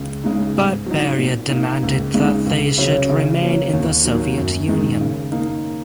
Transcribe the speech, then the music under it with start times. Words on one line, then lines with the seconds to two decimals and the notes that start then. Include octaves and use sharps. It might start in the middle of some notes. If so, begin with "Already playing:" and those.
But Beria demanded that they should remain in the Soviet Union.
Already playing: C#2
0.24 C#3 G#3 D#4
0.55 G#2
0.86 F#3 D#4
1.18 A#2
1.50 A#3 D#4
1.83 C#2
2.14 C#3 G#3 D#4
2.46 C#2
2.78 C#3 F#3 C#4
3.10 C#3
3.41 F#3 A#3 C#4
3.73 D#2
4.04 D#3 F#3 A#3
4.37 F#2
4.68 D#3 G#3 D#4
5.01 C#3
5.32 A#3 D#4